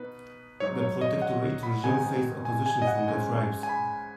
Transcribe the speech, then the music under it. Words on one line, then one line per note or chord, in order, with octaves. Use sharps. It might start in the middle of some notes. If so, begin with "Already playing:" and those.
The protectorate regime faced opposition from the tribes.
Already playing: B2 B3 D#4 B4
G#2 F#3 D#4 C#5
C#5
D#5
F#5
B5
G#2 D#3 B3 D#4 G#5
G#5
G#5
D#5
F#5
G#2 G#3 C#4 G#5
G#5
B5